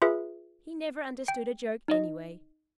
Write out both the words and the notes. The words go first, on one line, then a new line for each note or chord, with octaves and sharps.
He never understood a joke anyway.
F4 G#4 B4 E5
G5
D#4 D#5